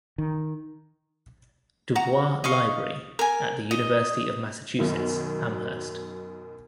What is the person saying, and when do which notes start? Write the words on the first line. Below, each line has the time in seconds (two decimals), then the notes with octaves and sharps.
Du Bois Library at the University of Massachusetts Amherst.
0.18 D#3
1.95 F#4 A#5
2.44 D#5 F5 C#6
3.19 A#4 G#5
3.71 D#5
4.79 F#2 B2 D#3